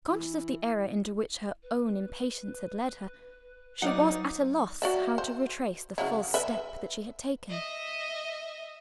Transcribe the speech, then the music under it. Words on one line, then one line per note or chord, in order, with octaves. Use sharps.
Conscious of the error into which her own impatience had led her, she was at a loss how to retrace the false step that she had taken.
E3
B4
F#3 D#4 D5 F5 F#5
F#4 D5 E5
C5
C#3 F#3 E4
B4 E5
D#5 E5